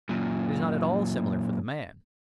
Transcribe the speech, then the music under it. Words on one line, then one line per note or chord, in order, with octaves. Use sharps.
It is not at all similar for the man.
F#2 A#2